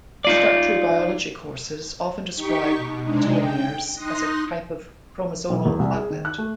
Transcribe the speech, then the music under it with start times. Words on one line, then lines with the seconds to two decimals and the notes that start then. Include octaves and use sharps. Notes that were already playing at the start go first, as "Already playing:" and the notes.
Introductory biology courses often describe telomeres as a type of chromosomal aglet.
0.25 D#4 F4 D5
2.36 D#4 G4 C#6 B6
2.75 B2
3.04 C3 G#3 D4 D#4
3.37 G5
3.94 D#4 C6 D#6 F#6 A#6
5.50 B1
5.65 E2
5.79 C2
5.94 G#4
6.10 D#3
6.25 F#6
6.38 A3